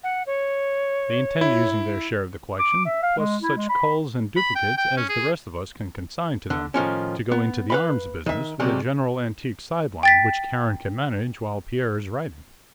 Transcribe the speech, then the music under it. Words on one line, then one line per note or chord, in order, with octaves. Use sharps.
They intend using their share of the collection, plus such culls and duplicates as the rest of us can consign to them, to go into the arms business, with a general-antique sideline, which Karen can manage while Pierre's writing....
F#5
C#5
E4
D6
E5
F5
G#3
E4
G#3
B5
B5
G5
G5
C#4
G#4
D3
A2 D#3 F3 C#4
B3
B4 F5 B5
D#3 E5
C#2 C3 F#3 G3
G5 A6 B6